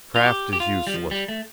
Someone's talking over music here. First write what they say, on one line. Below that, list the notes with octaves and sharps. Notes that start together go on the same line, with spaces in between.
Craft is useless!
F4
G4
G4
F4
G3
F3
G3
A3